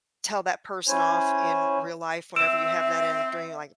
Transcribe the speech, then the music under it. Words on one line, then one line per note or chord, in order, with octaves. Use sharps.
tell that person off in real life whenever you have that in a dream, like,
C#4 E4 C5 C#5 G#5
C4 E5 E6 D7 E7